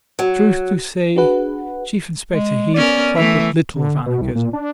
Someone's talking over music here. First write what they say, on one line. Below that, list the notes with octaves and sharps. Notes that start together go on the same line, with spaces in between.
Truth to say, Chief Inspector Heat thought but little of anarchism.
F#3
D4 F#4 G#4 B4 F#5
G#3
B3 C#4 A#4 D5
E3 A3 E5
D3
B2
C2
A#2
D4